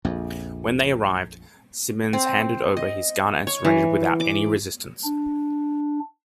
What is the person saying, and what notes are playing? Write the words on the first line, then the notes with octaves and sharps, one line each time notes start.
When they arrived, Simmons handed over his gun and surrendered without any resistance.
A#1 F2
C4
D#5
C#5
E3
D6
D4